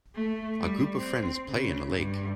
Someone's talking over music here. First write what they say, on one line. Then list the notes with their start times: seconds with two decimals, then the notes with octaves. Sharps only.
A group of friends play in a lake.
0.15 A3
0.60 G3
0.97 C4
1.46 C#3
1.97 G2